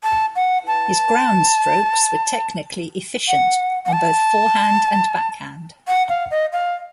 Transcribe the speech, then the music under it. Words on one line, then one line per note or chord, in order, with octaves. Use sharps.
His groundstrokes were technically efficient on both forehand and backhand.
A5
F#5
A5
F#5
F#5
A5
F#5
F5
D#5
F5